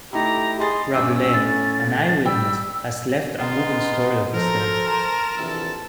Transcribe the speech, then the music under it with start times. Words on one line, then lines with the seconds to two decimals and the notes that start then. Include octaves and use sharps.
Rabelais, an eye-witness, has left a moving story of his death.
0.13 A3 D#4 E4 G4 A#5
0.60 G#4 D#5 B5 C6 A6
0.94 G2 C#4 D6 E6
1.34 A2 A6
2.25 G3 G5 E6
3.39 G#3 B3 D#4 F4
4.34 F3 F#3 A4 A#4 C5 A#5
4.87 A5 A#5 C6
5.37 A#1 C3 E3 A4